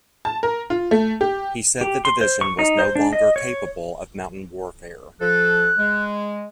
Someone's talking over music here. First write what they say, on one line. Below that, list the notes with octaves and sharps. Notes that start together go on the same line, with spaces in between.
He said the division was no longer capable of mountain warfare.
A5
A#4
F4
A3
G4
G4
C6
C5
C#6
D#4
C5
D4
D#5
C#5
F3 A4 F#6
G#3